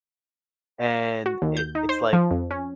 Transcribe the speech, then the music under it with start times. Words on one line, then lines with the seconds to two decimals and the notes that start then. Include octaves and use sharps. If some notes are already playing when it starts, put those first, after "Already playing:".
And it it’s like
1.26 F#4
1.42 D#2
1.57 G6
1.75 D#4
1.89 C5
2.13 F3
2.31 F2
2.51 C#4